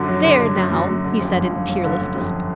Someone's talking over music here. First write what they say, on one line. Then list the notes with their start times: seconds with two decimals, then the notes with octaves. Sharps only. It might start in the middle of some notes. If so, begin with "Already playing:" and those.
"There now!" he said in tearless despair.
Already playing: F#2 D3
0.08 F#3
0.24 D3
0.40 D3
0.56 F#2
0.71 F#2
0.88 F#2
1.05 D3
1.20 F2
1.37 G1
1.52 G1
1.68 G1
1.85 D3
2.01 G1
2.17 F2